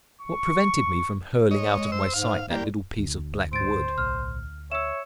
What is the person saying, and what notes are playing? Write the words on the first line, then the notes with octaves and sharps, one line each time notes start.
What prevented me from hurling out of my sight that little piece of black wood?
C#6
G#3 C#5 D#5
C5 E6
G#2 F5
C2 A#3 G4
D2
G#2 C5 A6 D7
B1 A2 F6
C#5 E5 E6 E7